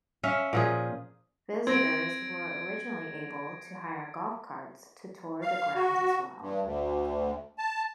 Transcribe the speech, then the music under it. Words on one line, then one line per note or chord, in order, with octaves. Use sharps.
Visitors were originally able to hire golf carts to tour the grounds as well.
C#4 E5 F5
A#2 F3 G#4
C4 G#6 A#6 D7
F5
F#4
G2
D2
A5